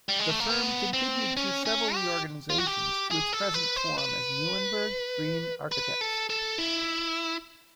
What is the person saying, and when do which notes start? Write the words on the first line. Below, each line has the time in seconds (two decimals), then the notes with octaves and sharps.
The firm continued through several reorganizations to its present form as Muhlenberg Greene Architects.
0.09 G3
0.19 G#3
0.29 A3
0.40 A#3
0.50 B3
0.93 C4
1.37 C#4
1.66 C#4
1.95 G4
2.50 F4
2.58 F#4
2.67 G4
3.11 G#4
3.33 A4
3.54 B4
3.76 C5
3.98 B4
5.72 B4
6.01 A4
6.30 A4
6.58 E4